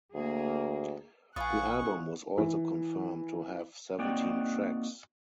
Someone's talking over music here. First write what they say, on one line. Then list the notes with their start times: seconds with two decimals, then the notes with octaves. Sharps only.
The album was also confirmed to have seventeen tracks.
0.14 D2 A#3 G#4
1.36 A#1 F4 B4 F5 F#5 G#5 C#6 D#6
2.38 E3
3.99 A#3 C4 D#4 F#4 D5 G5